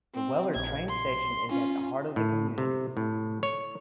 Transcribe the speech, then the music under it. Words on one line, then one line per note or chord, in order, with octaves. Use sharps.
The Wellard Train Station is at the heart of the community.
C4
A#1 G#6
C6
C#4 F4
A2
C3
A2
C#5